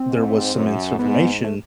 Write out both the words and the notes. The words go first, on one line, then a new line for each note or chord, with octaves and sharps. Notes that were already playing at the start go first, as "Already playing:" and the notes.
there was some misinformation,
Already playing: C4
G#2
F#2
G#2 B3
A3